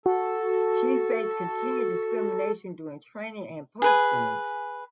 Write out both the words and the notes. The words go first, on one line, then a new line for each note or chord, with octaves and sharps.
She faced continued discrimination during training and postings.
F#4 A4
G#4 B4 G#5